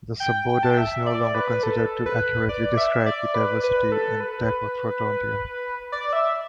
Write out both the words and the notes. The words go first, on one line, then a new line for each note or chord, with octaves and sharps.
This suborder is no longer considered to accurately describe the diversity in Diprotodontia.
G5
G5
A5
G5
E5
D5
B4
A4
B4
D5
E5
D5
B4
B4
A4
B4
D5
E5